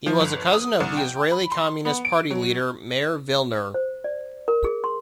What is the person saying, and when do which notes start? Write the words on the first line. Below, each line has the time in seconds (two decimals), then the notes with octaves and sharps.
He was a cousin of the Israeli Communist Party leader Meir Vilner.
0.06 F3
0.20 G1
0.54 D#6
0.80 C2
0.97 G5
1.32 B5
1.52 C6
1.85 B3
2.05 D7
2.31 F#3
3.74 C5
4.04 D5
4.48 A#4
4.64 G#4
4.84 C6